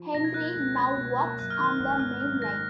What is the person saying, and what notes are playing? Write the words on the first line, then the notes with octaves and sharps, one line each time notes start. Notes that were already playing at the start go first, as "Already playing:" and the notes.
Henry now works on the main line.
Already playing: F3
B2 A#6
G#6
A#3 F#6
G#6
C#2
C#4 G#6
B2
A#3
F#2 F#6
F6
D#3 F#6
G#1
G#1 F6
F#2 F6
D#3 A#6